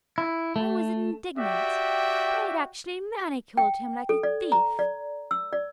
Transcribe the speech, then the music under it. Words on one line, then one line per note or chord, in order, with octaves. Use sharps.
I was indignant: they had actually manacled him like a thief!
E4
A3
F#4 G4 D5 E5 G5
G5
A4
D5
A#5
D5
E6
D5